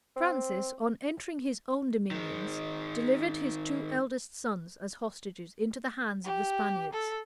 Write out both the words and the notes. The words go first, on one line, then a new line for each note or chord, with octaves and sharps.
Francis, on entering his own dominions, delivered his two eldest sons as hostages into the hands of the Spaniards.
C4
D#3 G#3
G4
A4